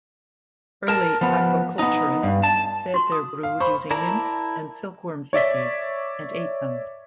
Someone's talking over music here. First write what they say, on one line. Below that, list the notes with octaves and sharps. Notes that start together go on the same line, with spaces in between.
Early aquaculturists fed their brood using nymphs and silkworm feces, and ate them.
A#4 A5
F3 B3
B3 D#4
G2
A5
F#4 C6
D#6
F5
C5 B5 C#6
E4 A#4 D5 A5 A#5
C#5 D5 E5 B6